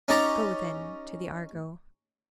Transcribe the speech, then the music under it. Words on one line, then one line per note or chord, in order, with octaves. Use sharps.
Go, then, to the Argo.
C#4 D#4 G4 A5 A#5